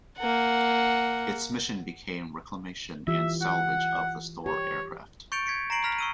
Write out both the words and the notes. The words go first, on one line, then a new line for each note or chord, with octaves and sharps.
Its mission became the reclamation and salvage of the stored aircraft.
A#3 F#5
E3 F4 G4 E5
F#5
G4 C#5
C#6 G6 A6 C#7 D7 F7
G#6 B6 C#7 D7
A#5 A#6 C7 D7 F#7
B5 F6 A#6 B6
C#6 E6 D#7